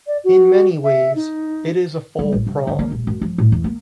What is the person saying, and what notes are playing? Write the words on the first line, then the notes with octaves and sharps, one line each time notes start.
In many ways, it is a fall prom.
D5
F#4
E5
D#4
G3
A1
C3
D3
A#3
D#1
F#2
F3
A2
E2
A#3